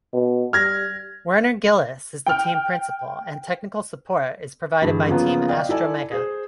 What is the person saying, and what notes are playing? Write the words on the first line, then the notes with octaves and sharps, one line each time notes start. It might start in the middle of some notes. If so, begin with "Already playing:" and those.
Werner Gillis is the team principal, and technical support is provided by Team Astromega.
B2
G3 F6 G#6 A#6
G5 F6
G2 D3 E3 G#3
C#3 F3 A#3 B3 F4
D5 D#5 F5 G5
E4 A4 D5 G#5
G#4 C5